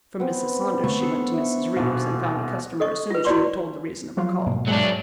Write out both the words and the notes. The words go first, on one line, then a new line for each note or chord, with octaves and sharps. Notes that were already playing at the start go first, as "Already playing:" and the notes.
From Mrs. Saunders she went to Mrs. Reeves and found a customer as soon as she had told the reason of her call.
B3 C4
D3 A3 F5 C#6
B3 D4 A4
E5
D#1 B2
A4 D#5 C#6
F4 B4
E4 F#4 C#5 D5 C6 C#6
F3 F#3 F4
G#2 B2 A#3
F#3 G#3 D4